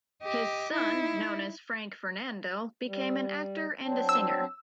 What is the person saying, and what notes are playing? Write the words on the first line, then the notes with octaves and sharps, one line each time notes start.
His son, known as Franck Fernandel, became an actor and a singer.
G4 D#5
D#4 E4
G3
F#3 C4 D4
E6